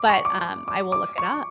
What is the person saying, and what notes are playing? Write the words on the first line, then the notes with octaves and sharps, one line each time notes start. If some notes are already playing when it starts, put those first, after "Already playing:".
But, um, I will look it up.
Already playing: D6
C#6
D6
D6
D6
C#6